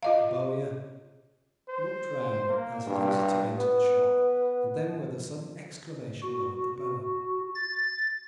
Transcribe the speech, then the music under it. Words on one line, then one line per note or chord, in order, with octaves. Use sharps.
The bowyer looked round as his visitor entered the shop, and then, with a sudden exclamation, lowered the bow.
F4 D#5 F5
C5
A#3
G2
B3
F#4
A6